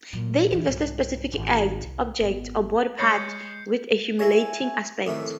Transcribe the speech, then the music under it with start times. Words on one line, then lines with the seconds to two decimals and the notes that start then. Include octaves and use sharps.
They invest specific acts, objects, or body parts with a humiliating aspect.
0.13 A#2 F#3
0.52 D2 E3
0.67 C2 G#2
1.33 G#1
1.81 C2
2.20 G#1 B3
2.99 G#3 C#5 B5 C#6 G6 C7 C#7
4.19 A3 E4 C#5 G#5
5.07 F2 A2 D#3 G#3 G4 E5